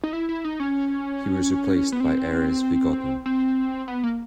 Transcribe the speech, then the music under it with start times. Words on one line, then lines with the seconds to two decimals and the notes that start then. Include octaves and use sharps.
He was replaced by Erez Vigodman.
0.04 D#4
0.13 E4
0.29 E4
0.44 D#4
0.60 C#4
1.92 B3
2.00 C4
3.26 C4
3.88 B3
4.03 A#3